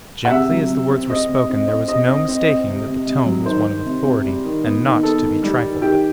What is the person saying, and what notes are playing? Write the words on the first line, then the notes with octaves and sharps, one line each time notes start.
Gently as the words were spoken, there was no mistaking that the tone was one of authority, and not to be trifled with.
F#5
C3 E5
F#3
C3
C4
C4 D#5
C3
C4
C4
C4 D#5
C4
C4
C4
C3
C3
C3
F#3
D#3 C5
D#3
C3
C3
G3
D#3
B3
D#3
B3 A4
D#3
G3
D#3
D#3 G4